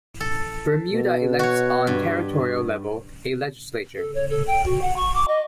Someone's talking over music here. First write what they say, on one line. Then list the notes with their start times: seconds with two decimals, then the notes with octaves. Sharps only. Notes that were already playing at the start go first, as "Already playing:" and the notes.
Bermuda elects on territorial level a legislature.
0.20 A4
0.93 B2
1.39 F#4 C#5
1.87 G2
3.97 A4
4.15 C#5
4.30 A4
4.47 G5
4.65 F#4
4.82 F#5
4.96 C#6
5.14 D6
5.28 D#5